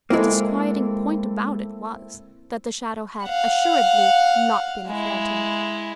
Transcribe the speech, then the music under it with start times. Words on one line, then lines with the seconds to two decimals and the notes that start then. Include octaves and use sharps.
The disquieting point about it was, that the shadow had assuredly not been a phantom.
0.10 G#3 A#3 C4 E4 A4
3.24 F5 F#5
4.87 G#3 E4